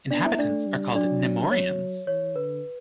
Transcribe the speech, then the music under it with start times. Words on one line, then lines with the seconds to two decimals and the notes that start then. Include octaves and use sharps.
Inhabitants are called "Nemouriens".
0.10 B3 D4 D5
0.25 E4 E5
0.38 A3 D4 D5
0.67 G3
0.95 F#3 D4 D5
1.51 F#3 C#5
2.07 E3 C#5
2.36 D3 B4